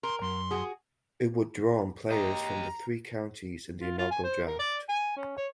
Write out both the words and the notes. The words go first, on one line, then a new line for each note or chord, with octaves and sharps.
It would draw on players from the three counties in the inaugural draft.
A#4 C6
F#2 C6
F#4 G#4
G4 D#5 A#5
F4
F4
G#5
C5
A#4
D5
G#5
C#4
C#5